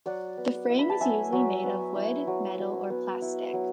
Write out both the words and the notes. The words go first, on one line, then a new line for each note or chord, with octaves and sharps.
The frame is usually made of wood, metal or plastic.
F#3 D5 F#5
B3
E4
B5
A5
F#3 E5 G#5
F#3
B3
E4
F#3
F#3
B3
E4
F#3